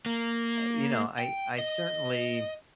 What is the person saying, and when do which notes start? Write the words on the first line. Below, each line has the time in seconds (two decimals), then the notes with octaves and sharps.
you know, I I certainly
0.06 A#3
1.19 G5
1.59 D#5